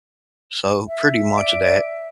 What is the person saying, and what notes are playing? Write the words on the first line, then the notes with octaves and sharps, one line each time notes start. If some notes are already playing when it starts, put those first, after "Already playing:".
So, pretty much of that.
E5
D5 D7